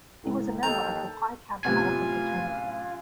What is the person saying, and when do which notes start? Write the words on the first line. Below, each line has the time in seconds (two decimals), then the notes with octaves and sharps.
He was a member of the Pi Kappa Alpha fraternity.
0.24 C#2 A2
0.63 D#2 A4 A#5 E6 G6
1.65 F#2 A2 C3 B3 F4 G#5